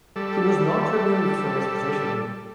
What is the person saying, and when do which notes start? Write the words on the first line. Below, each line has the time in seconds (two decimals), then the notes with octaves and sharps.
He was not removed from his position.
0.16 G3 A4